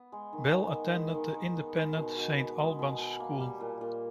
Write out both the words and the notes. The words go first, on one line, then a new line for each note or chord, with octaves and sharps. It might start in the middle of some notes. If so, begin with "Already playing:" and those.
Bell attended the independent Saint Albans School.
Already playing: B3
G#3
D#3
D#3
B3
G#3
D#3
D#3
B3
G#3
B2
B2
B3
G#3
B2
B2
A#3
G3
A#2
A#2